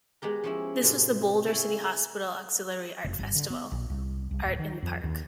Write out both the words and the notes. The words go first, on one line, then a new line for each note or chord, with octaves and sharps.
This was the Boulder City Hospital Auxiliary art festival, Art in the Park.
G#3 B3 G4 A#4
F3 C#4 E4
A2 C3 F#3 A3
C#3 A3 C#4 E4 F5 G#5
F1
G1
D3
B3
A#1
C2
C2
D1
D#3
F2
D#2